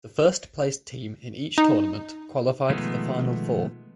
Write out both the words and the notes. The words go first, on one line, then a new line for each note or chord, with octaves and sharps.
The first placed team in each tournament qualified for the final four.
D#4
B2 D#3 F3 G#3 A3 B3